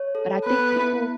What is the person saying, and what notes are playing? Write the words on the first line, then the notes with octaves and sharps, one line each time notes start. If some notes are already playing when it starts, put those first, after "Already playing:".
But I think people
Already playing: C#5
A4
B3 B4
E4